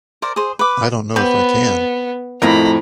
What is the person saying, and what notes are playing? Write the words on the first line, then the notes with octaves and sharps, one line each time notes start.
I don't know if I can.
A#4 C5 D5
G#4 C5
B4 D6
B3 C4 G4 B4
F2 A2 A#4 D#5 F5 A#5 B5